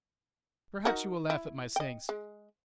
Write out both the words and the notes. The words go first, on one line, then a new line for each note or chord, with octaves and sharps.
Perhaps you will laugh at my saying so.
D#4 F#4 A#4
E4
D#5 G5
G#3